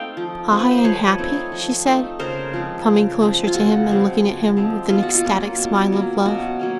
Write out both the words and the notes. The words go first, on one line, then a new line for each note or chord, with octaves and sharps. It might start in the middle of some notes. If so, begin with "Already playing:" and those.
"I unhappy?" she said, coming closer to him, and looking at him with an ecstatic smile of love.
Already playing: A3 C4 D#4 F5 G5
F3
A3 C4 D#4
B4
C5
F3 B4 C#5
A3 C4 D#4
F3
A3 C4 D#4
C#3 A#4 C5
F3 G#3 C4
C#3
F3 G#3 C4
F4
C#3 F#4
F3 G#3 C4
C#3
F3 G#3 C4
B2 F4
F#4
F4
F#3 A#3 C#4
B2
F#3 A#3 C#4
B2 F#4
F#3 A#3 C#4